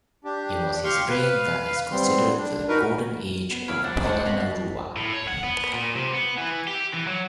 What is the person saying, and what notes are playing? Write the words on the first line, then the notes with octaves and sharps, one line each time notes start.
It was his reign that is considered the Golden Age of Polonnaruwa.
D4 G4
G4 F5 C6 C#6
B4 F5
G3 B3 C4 C6
D4
D#4 F#4 A#4 B4
B3
E4 F5 E6
F3 D4 F#5
C#3 G#3 A3 C5 D#5 F#5 A5
D3 B3 C4 F#4 F5 B5
A2
C#5
F#5
B3
A#2
C3
B3
E3
G4
E3
F#3